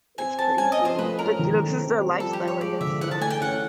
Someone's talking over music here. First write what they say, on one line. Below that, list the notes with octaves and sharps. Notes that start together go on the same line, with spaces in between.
It's crazy, but you know, this is their lifestyle, I guess, so
C4 G#5
C4 A5
C#4 G#5
D#5
F3
C5
A3 B4
C#4 A#4
D#3
A3
C4
G3
F3 A4
G4
F3
C#5
G#3 D5
D3 E5
E3 F#5
A5
A3 G#5
G5
C#4 F#5